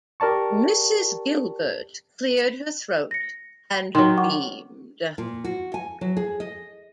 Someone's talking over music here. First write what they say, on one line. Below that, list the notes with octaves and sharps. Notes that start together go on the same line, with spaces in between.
Mrs. Gilbert cleared her throat and beamed.
G4 A#4 D5 A5 C#6
A#6 C#7
D#3 F#3 C6
F#5 C#6 D6
A#2
F#4
G#5
F#3
G#4
D#5